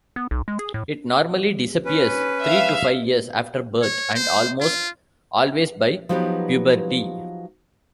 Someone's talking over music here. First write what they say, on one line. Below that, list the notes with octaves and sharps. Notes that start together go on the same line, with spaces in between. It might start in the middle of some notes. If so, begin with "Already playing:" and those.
It normally disappears three to five years after birth and almost always by puberty.
B3
B1
G#3
G#4
A2
C#4 B4
E5 F5
C#5
C5
F4
F3 F#3 B3 D#4 G4 B4